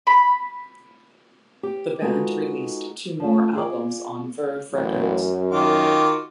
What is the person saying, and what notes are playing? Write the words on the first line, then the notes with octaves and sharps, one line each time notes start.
The band released two more albums on Verve Records.
B5
G4
G#3 B3 D#4 F4 F#4 A4
F3 A3
F4 G#4 D5
A1 F#2
D#3 F4 F#4 D6